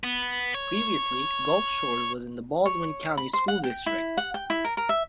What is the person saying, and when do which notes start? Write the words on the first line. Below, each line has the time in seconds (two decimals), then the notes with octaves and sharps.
Previously Gulf Shores was in the Baldwin County School District.
0.04 B3
0.54 C#5
2.66 C#5
3.17 B5
3.33 C5
3.48 F#5
3.64 G5
3.86 E4
4.17 F#5
4.34 G5
4.50 E4
4.65 A#4
4.77 A#4
4.89 E5